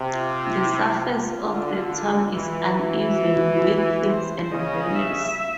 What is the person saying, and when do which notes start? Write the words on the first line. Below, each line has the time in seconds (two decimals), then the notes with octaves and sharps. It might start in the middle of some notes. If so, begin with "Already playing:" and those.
The surface of the town is uneven, with hills and valleys.
Already playing: C3
0.13 F4
0.56 E4
1.00 F4
1.44 D3
2.32 E3 F4
2.76 E3 F#4
4.07 C5
4.51 C#3 D#5
4.95 E5